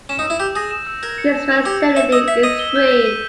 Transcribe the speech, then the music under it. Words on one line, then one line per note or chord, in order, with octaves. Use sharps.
This facility is free.
C#4 E7
D#4
E6
E4
G4 G6
G#4 A#6
E7
E6
A#4 G#6
C#7
E7
E6
G4 G#6
C#7
E5 E7
D#5 E6
E5 B6
D#5 D#7
G7
G6
B6
D#7